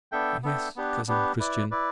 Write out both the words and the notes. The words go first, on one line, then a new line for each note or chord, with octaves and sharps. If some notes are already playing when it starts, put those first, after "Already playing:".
"Yes, Cousin Christian."
B3 D4 A4 E5 G5
B3 D4 A4 E5 G5
B3 D4 G4 B4
B3 D4 G4 B4
E4 B4 D5
E4 B4 D5